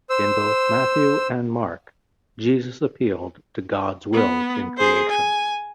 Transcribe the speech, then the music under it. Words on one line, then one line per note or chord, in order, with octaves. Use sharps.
In both Matthew and Mark, Jesus appealed to God's will in creation.
C5 E6
B3
G#4 C5
G#5